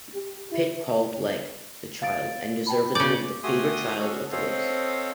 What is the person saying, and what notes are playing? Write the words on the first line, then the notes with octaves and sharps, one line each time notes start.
Pitt called Legge, the child, and deservedly the favourite child, of the Whigs.
G4
E4
F5 A6 D7
G5 A5 B5
C#3 D5 G6
A3 F#4 G4 G#5 C6 D#6
C#4 F#4 G#4 A4 C#5
C4 A4 C5 C#5 D#5 F5